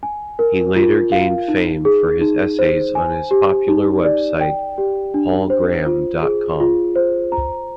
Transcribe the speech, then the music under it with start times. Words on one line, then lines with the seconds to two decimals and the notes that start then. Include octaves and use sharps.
He later gained fame for his essays on his popular website paulgraham dot com.
0.03 G#5
0.39 A#4
0.76 F4
1.12 F5
1.48 D#4
1.85 G#4
2.21 D#4
2.59 C5
2.95 G#5
3.31 G4
3.68 D#4
4.04 D5
4.41 G5
4.78 G4
5.14 D4
5.50 C5
5.86 F4
6.23 G#4
6.60 F4
6.96 C5
7.32 A#5